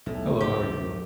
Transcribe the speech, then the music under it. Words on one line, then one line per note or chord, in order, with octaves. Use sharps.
Hello, how are you doing?
B1 E2 A2
D2 C3 G4